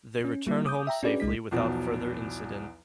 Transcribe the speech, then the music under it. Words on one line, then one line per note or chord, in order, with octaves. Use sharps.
They return home safely without further incident.
C#4
G3 A#3 E4
D6 D#6 G6
E5 G5 A#5
C#4 D4 F#4 G#4 B4 D5
C2 G#3 D#4 B6
B1 E2 F3 F#3